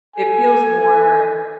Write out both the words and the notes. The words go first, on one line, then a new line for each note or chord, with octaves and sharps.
It feels more
A4 G#5